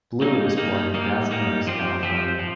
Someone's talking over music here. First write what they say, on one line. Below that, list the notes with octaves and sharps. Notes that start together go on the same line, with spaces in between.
Blue was born in Thousand Oaks, California.
G3 A#3 D#4
G3 A#3 D#4
G3 A#3 D#4
G3 A#3 D#4
F3 C4 G4
F3 C4 G4
F3